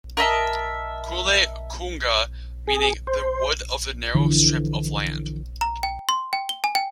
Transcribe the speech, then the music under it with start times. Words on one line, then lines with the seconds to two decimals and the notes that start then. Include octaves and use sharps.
"Coille Cunga" meaning "The Wood of the Narrow Strip of Land".
0.17 A#4 D#5 E5 A5
2.67 G#4
3.07 C5
4.15 D3 E3 F3
5.61 A#5
5.83 G5
6.09 C6
6.33 G5
6.49 G7
6.64 G#5
6.75 G5